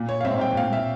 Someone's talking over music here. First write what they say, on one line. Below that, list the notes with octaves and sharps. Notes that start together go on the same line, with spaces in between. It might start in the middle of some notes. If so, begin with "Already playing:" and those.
um, and
Already playing: A#2
C#5
F5
C4 E5
G5
A#2 F5
E5